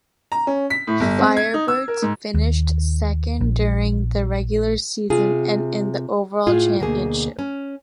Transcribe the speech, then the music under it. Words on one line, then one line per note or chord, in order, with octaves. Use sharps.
Firebirds finished second during the regular season and in the overall championship.
A#5
C#4
B6
A2
G1
C4
G#6
D#4
E6
A#4
G#2
D#2
A#1
C3 F4 G#4
A2 F4 G#4
D2 B2 A#3 G#4
C#4